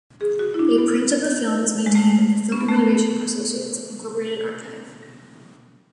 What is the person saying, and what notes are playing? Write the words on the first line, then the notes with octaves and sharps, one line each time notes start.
A print of the film is maintained in the Film Preservation Associates, Incorporated archive.
G#4
F#4
E4
D4
B3
G#3
A3
C#4
B3
A3
B3